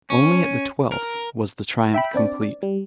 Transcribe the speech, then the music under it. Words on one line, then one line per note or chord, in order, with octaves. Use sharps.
Only at the twelfth was the triumph complete.
C#4
A#4
E5 G5 B5
C4 D4 D5
G3